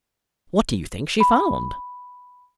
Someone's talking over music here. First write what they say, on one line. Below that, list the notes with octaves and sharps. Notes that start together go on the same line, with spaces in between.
"What do you think she found?"
B5